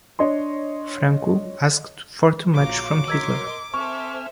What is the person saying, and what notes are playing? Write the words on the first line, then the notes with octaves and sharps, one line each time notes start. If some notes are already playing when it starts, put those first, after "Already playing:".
Franco asked for too much from Hitler.
D4 C#5 D#5 C6
A#1 F4 F#4 C#5 A#5 D6
A#4 D#5 C6 E6 G#6 B6
C4 A4 C5 E5 G#5 C#6 F6